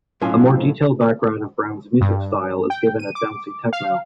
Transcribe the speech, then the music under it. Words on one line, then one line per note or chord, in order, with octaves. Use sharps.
A more detailed background of Brown's music style is given at bouncy techno.
B1 A2 F#3 C#4 F4 G#5
G2
G5
D#7
D6
F5